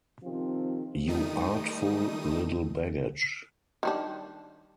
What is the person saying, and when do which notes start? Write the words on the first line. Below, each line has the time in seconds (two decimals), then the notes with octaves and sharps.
You artful little baggage!
0.23 C3 D#3 F3 C4
1.07 D#3 G3 A3 D#4 D#6 D#7
3.83 D#3 G3 D4